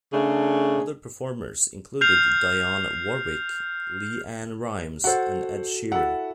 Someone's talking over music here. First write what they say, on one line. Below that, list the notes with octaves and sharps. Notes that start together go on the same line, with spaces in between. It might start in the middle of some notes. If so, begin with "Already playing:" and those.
Other performers included Dionne Warwick, LeAnn Rimes and Ed Sheeran.
C#3 A3 D4 G#4
F6 G6 C7 F7
F#4 A4 C5 F#5
E4 F#4 A4 F#5